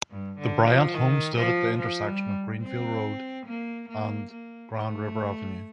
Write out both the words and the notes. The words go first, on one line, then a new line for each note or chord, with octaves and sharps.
The Bryant home stood at the intersection of Greenfield Road and Grand River Avenue.
G2
D3
F3
D#3
F3
F3
G3
C4
A#3
A#3
A#3
A3